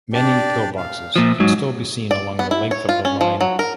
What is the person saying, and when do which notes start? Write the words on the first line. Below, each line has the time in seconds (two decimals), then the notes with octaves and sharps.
Many pillboxes can still be seen along the length of the line.
0.13 D4 G4 D5
0.77 F5
1.16 A#2 F3 E5
1.40 G#2 F#3
2.11 D5
2.39 B3
2.51 E4
2.71 C#5
2.89 F4
3.05 C#4
3.21 F3
3.41 F#3
3.59 A#4